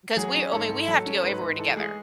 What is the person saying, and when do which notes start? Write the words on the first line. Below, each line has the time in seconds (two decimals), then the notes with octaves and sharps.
'cause we're I mean, we have to go everywhere together,
0.17 F#3 G#4
0.35 C#4
0.52 G#2 A4
0.70 G#2
0.88 F#3 A4
1.06 C#4
1.24 G#2 B4
1.41 G#2
1.59 E3 A4
1.76 G#3 G#4